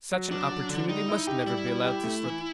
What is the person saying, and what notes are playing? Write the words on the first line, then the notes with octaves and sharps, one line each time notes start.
Such an opportunity must never be allowed to slip.
F#3
F#3 D4
F#3
D3
G3 D#4
E4
G4
G3 E4
G3
G4
A3
E3